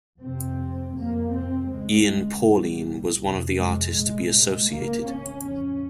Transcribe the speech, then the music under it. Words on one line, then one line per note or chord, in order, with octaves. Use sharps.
Ian Paulin was one of the artists to be associated.
F2 C3 C4
F2 C3 A#3
C4
C#2 C#3 G#3
C2 A#2 G3
F2 C3
G#3
C2 A#2
C#2 C#3 A#3
C#4
F2 C#3 C#4